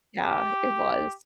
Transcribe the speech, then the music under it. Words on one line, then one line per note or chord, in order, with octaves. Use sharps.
Yeah, it was.
G4